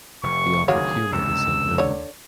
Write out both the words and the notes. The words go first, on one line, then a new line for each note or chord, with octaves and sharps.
The operculum is unknown.
F1 C#6
F#1 D2 D#3 A#3 F#4 G#4 C#5
C#2 G2 C3 E6
D3 C#5